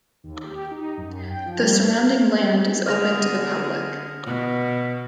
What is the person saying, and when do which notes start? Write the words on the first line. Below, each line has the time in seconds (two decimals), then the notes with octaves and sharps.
The surrounding land is open to the public.
0.24 D#2
0.44 G4
0.71 D#4
0.98 F#2
1.30 G5
1.46 F3
1.62 G3
1.83 D4
2.87 D3 G#4 F6 A#6 F7
4.25 B2